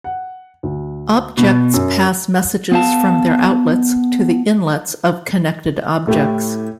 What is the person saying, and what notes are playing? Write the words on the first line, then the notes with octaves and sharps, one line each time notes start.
Objects pass messages from their outlets to the inlets of connected objects.
F#5
D2
B2
F#2
B3 F5 A5
A2 A3 E4 G4